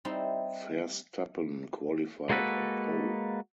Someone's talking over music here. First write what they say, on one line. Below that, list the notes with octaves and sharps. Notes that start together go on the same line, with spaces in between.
Verstappen qualified on pole.
G3 C4 D#4 E4
G#3 A#3 F#4 A4 B4